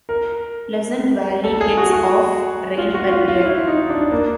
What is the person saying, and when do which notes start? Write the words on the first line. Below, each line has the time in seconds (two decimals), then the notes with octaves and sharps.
Pleasant Valley gets of rain per year.
0.09 A#4
1.44 A4
1.61 G#4
1.77 F#4
1.93 F#4
2.78 F4
2.94 F#4
3.11 F4
3.28 F4
3.45 E4
3.67 D#4
3.90 D4
4.12 A#3